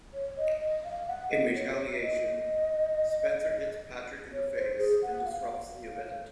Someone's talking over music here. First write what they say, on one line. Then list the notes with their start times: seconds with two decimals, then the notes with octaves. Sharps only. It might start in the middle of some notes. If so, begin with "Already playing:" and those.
In retaliation, Spencer hits Patrick in the face and disrupts the event.
0.14 C#5
0.37 D#5
0.61 D#5
0.84 F5
1.08 F#5
1.30 D#5
1.54 C#5
2.00 D#5
4.33 C#5
4.56 C5
4.78 G#4
5.02 F#5
5.25 F5
5.88 F5